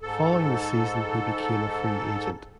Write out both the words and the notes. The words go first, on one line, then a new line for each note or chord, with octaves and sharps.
Following the season, he became a free agent.
G#2 A4